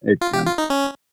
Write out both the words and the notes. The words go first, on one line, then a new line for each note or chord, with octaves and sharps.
It can.
F4
G4
F4
D#4
C#4